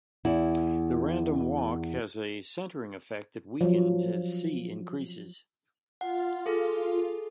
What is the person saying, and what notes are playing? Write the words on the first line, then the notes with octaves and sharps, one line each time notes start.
The random walk has a centering effect that weakens as "c" increases.
E2 E4
F3 F#3
F4 F#5
G#4 A4